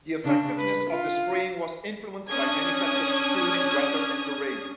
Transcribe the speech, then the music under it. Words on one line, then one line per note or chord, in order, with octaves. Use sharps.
The effectiveness of the spraying was influenced by many factors including weather and terrain.
C#3 D4
B4
F4
C#4 D4 D#6 G#6